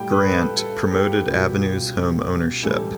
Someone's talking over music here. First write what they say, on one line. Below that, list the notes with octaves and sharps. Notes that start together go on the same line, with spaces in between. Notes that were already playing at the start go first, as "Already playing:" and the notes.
Grant, promoted Avenues home ownership.
Already playing: A2 G3 G5
B4
A4
A4
G4
C#2 B2 G3
A2 E3 G3 A4